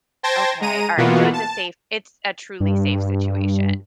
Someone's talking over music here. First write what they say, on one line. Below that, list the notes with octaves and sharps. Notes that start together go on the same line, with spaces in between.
Okay. Alright, so it's a safe it's a truly safe situation.
C5 G5 A5 C6 G#6 A#6
G#3 A#5 D#7
B2 E3 A#3 B3 F4 F#4
A5
G2